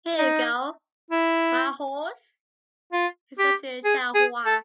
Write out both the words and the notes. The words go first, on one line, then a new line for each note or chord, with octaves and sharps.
Here you go my horse, he says to Jahoua.
D#4
E4
F4
G4
G#4
G#4
A4